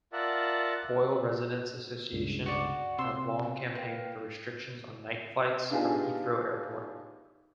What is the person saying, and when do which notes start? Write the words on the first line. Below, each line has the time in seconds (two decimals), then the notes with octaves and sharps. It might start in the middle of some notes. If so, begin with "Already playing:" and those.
Poyle Residents Association have long campaigned for restrictions on night flights from Heathrow airport.
0.13 F4 A#4 D5 E5 F#5 A5
2.12 C#2 G2 C#3
2.46 F#4 D5
2.98 C3 C4 C6 E6
3.75 A#3 B4 G5
5.70 B3 D4 D#4 F4 G4 G#4